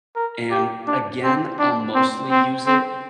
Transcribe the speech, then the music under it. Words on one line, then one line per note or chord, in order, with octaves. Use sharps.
And again, I'll mostly use it,
A#4
G4
D4
C4
D4
C4
C4
C4